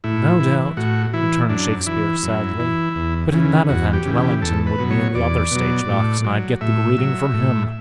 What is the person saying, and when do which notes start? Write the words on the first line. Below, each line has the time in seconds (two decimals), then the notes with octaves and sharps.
"No doubt," returned Shakespeare, sadly; "but in that event Wellington would be in the other stage-box, and I'd get the greeting from him."
0.04 A2 E4
0.40 E3
0.77 A2 F#4
1.14 E3 E4
1.50 F#2 D4
1.86 E3 E4
2.23 F#2
2.60 E3
2.96 E2
3.32 C#3 E3
3.69 E2 F#4
3.93 G4
4.05 C#3 E3
4.17 G4
4.42 E2 A4
4.66 B4
4.78 B2 F#3
4.91 C#5
5.15 E2 D5
5.52 B2 F#3
5.88 A2
6.24 F#3
6.61 A2 E5
6.98 F#3
7.34 A2